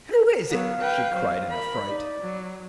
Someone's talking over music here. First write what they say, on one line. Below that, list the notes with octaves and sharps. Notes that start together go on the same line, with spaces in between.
"Who is it?" she cried in affright.
F#3 B3 F5
B4 G5
F#3 C5
A#4 B5
D#4 D5
F#3